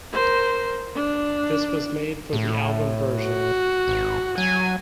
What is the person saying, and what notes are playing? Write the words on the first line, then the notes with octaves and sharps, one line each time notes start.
This was made for the album version.
A#4 C5
D4
A2
F#4
G#1
F#3 G#5